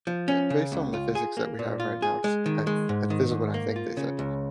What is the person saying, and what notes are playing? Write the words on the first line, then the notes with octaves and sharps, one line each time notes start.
Eh, based on the physics that we have right now, it's I th and this is what I think they said,
F3
C#4
C#3
C#2
F4
G#4
A#3
A#2
F4
G#4
G#3
D#3
G#3
G#2
D#3
G#2
A#3
F4
C#3
C#2